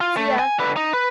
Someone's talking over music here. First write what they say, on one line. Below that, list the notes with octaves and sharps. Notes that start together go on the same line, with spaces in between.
See ya!
F4
A3
G#5
D3 B4
D#4
B4